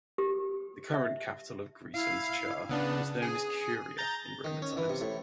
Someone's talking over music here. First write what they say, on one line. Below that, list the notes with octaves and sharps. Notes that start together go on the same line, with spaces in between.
The current capital of Grisons, Chur, was known as Curia in Roman times.
G4
E5
E4 F5
C#3 B3 D4
G#4
A#5 G6 A6
D#3
C#4
E3
C3
A2